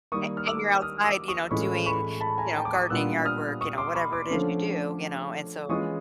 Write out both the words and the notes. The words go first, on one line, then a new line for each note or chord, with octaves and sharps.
And and you're outside, you know, doing, you know, gardening, yard work, you know, whatever it is you do, you know, and so,
D#3 G3 A#3 C#6 D#6
F6
D6 E6
D#6 F6
D6 E6
C#6 D#6
A2 E3 G#3 C#4 F4 B5 C#6
B5 C#6
A5 B5
G#5 A#5
G5 A5
D6
C#6 D#6
A#2 G3 B3 D4 F4 E6 F#6
D#6 F6
C#6 D#6
C6 D6
B5 C#6
C6 D6
D3 F3 A3 C#4
E3 G#3 C#4 F4 C#6 D#6